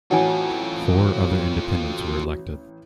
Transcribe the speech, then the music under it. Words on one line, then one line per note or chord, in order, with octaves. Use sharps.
Four other independents were elected.
A1 F4 F#4 A4 C#5 F#5 G#5